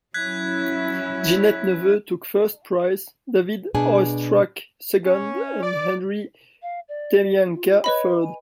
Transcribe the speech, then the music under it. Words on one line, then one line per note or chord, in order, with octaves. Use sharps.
Ginette Neveu took first prize, David Oistrakh second, and Henri Temianka third.
F#3 C#4 E4 F#6 G#6 B6
B2 D4 G#4 G#5
C#4
D5
F5
D5
F4
B4 C#5 D#5 B5
G#5